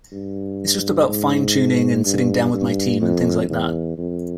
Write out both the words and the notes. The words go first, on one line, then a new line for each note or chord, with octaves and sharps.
It's just about fine-tuning and sitting down with my team and things like that.
G2
G#2
G2
G2
F2
E2
F2